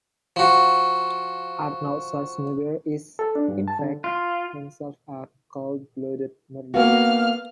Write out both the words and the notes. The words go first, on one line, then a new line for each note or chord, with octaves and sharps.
Arnold Schwarzenegger is, in fact, himself a cold blooded murderer.
F3 F#4
A4
D4
G2
A5
D3
F4
A#3 B3 F#4 F5 F6